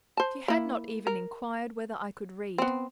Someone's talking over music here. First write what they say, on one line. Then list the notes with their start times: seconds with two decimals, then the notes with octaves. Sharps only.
She had not even inquired whether I could read.
0.17 C5 A5
0.48 A#3 E4
1.07 A#4
2.58 B3 C4